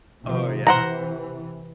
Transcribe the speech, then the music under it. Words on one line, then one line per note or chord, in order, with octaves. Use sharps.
Oh, yeah.
C3 D#3 F3
C3 E3 C5 F#5 A#5